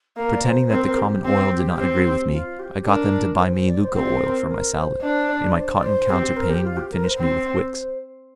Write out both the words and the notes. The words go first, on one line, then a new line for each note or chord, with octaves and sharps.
Pretending that the common oil did not agree with me, I got them to buy me Lucca oil for my salad, and my cotton counterpane would furnish me with wicks.
A#3 A#4
D5
C5
C4 A#4
C5
A#4
G4
C4
C4
F4
G4
D4 A#4
A#4
C5
C5
D5
C5
C4 C5
D5
C5
A#4
A#4
C5
D4 C5
D5
C5
D5
C5
C4 G4
C5
A#4
G4
F4
G4
A#4
C5
C4 C5